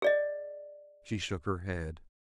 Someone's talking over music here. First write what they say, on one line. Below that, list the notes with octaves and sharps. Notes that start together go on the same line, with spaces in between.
She shook her head.
G#4 D5 D#5